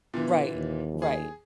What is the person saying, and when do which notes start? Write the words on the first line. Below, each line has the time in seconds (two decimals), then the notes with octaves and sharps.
Right, right,
0.14 A#2 D3 E3 B3
0.55 D#2
1.02 G#4